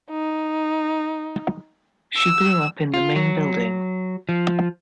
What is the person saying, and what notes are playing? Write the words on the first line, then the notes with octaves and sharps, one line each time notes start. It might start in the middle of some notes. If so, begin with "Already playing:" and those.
She grew up in the main building.
D#4
E6
F4
F#3
F3